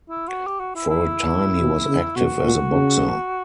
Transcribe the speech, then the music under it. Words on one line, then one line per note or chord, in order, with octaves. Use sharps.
For a time, he was active as a boxer.
E4
F#4
G4
F#4
E4
E4
B2
C#3
B2 F#4
A#2
C#3